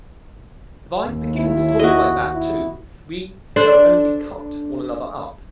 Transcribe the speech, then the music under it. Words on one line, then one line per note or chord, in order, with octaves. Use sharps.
If I begin to talk like that, too, we shall only cut one another up.
D#2
E4
F#4 D#5
E4
D4 A4 C5